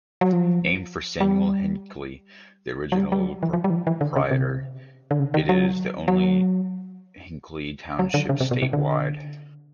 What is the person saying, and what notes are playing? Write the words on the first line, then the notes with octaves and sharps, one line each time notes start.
Named for Samuel Hinckley, the original proprietor, it is the only Hinckley Township statewide.
F#3
F3
G3
F#3
G3
G3
F#3
E3
F3
G3
E3
F3
E3
D3
C#3
C3
D3
C#3
D#3
F#3
F#3
F#3
D3
C#3
C3
B2
C3
D3